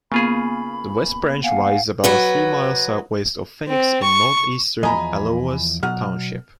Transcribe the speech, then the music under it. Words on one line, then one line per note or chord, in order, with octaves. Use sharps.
The west branch rises about three miles southwest of Phoenix in northeastern Allouez Township.
C#3 A#3 B3 F4 G#4 B5
F5 F#5 G#5
F#3 F#4 B4
C4
C#6
E2 F3 D#5 G#5 A#5 B5
B2 F#3 F#5 F6